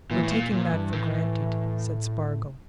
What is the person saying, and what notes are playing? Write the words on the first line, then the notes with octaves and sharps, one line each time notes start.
"We're taking that for granted," said Spargo.
A#2 E3
A2
A#2
A#2 E3
G2
A2